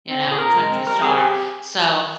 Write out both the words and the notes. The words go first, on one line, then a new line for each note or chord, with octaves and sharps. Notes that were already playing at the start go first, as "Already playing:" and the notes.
you know, country star." So,
C4
A#2
G#4
A#2 A#4
G#3
C4
G3 A#4
C4 G#4
G4 G#4